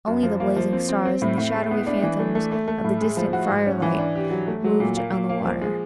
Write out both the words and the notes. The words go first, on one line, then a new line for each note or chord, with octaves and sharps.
Only the blazing stars and the shadowy phantoms of the distant firelight moved on the water.
F#2
F3
A#3
F3
C4
C4
C4
A2
A2
G#3
B3
D4
E3
A3
A3
A3
A3
A2
G#3
F3
F#4
G#2
C#4
E3
D4
G4
F#3
A3
F#3
A#2
A#3
A#3
A#3
F3
G#3